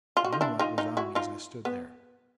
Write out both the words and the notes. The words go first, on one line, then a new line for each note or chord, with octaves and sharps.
The moonlight was on me as I stood there.
F4
F#4
D#4 F4
D4 E4
D#4 F4
D#4 F4
E4 F#4
D#4 F4
B3